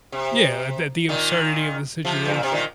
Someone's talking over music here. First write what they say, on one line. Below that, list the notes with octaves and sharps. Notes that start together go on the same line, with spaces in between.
Yeah, tha that the absurdity of the situation.
C3
A#2 D#3
C3 F3
G2
A#2
C3
A#2 D#3